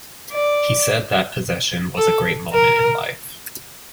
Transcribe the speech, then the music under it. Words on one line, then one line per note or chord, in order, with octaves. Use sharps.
He said that possession was a great moment in life.
D5
A4
A#4